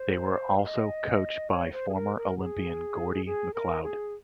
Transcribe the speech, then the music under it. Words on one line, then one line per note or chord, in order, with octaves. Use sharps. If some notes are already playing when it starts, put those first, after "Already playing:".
They were also coach by former Olympian Gordie McLeod.
Already playing: C5
F5
D#5
C#5
C5
G#4
A#4
A#4
G#4
G#4
A#4
G#4